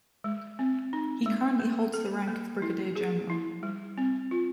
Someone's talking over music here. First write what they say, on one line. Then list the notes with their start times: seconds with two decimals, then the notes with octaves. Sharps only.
He currently holds the rank of Brigadier-General.
0.24 G#3
0.59 C4
0.93 D#4
1.26 G#3
1.60 A#3
1.94 A4
2.28 A#3
2.62 E4
2.95 G#4
3.30 E4
3.63 G3
3.98 C4
4.31 F4